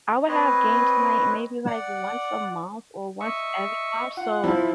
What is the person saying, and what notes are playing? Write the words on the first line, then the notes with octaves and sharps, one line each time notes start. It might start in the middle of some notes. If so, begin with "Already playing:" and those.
I would have games night maybe like once a month or once every month, so
C4 B4 C#5 D#5
D5 F#5
D#5 E5 C#6
F4 F#5
F3 E4